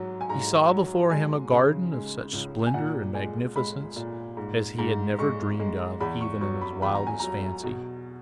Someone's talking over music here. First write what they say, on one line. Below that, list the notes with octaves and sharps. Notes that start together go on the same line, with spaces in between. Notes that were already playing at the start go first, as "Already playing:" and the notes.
He saw before him a garden of such splendor and magnificence as he had never dreamed of even in his wildest fancy.
Already playing: G#2 F#3
G#5
G#2 A#5
F#3
G#3 G#5
C#3
G#3
C#2
G#5
A#2 F#5
G#3 G#5
G#3 B5
A#2
G#2
G#2
G#3 C#6
G#3
E2 B5
C#6
F#3 C#6
B5
E2 B5
A#5
G#5
F#3 A#5
B2